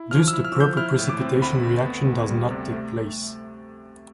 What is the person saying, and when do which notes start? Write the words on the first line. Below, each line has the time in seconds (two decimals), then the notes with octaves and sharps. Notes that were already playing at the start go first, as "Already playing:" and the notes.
Thus the proper precipitation reaction does not take place.
Already playing: E4
0.11 F3 F6
0.28 E6
0.33 E4
0.45 F6
0.55 F3
0.60 G6
0.77 E4 F6
0.99 A2
1.09 D6
1.20 C4
1.42 D2 B5
1.63 D2
1.86 B3
2.07 D2
2.29 G3
2.51 C3
2.73 A3